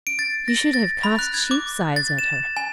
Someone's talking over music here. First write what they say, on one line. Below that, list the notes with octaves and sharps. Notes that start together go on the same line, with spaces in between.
You should have cast sheep's eyes at her.'
D7
A6
A#6
A6
B5
F#6
G#6
D6
A6
E7
G#5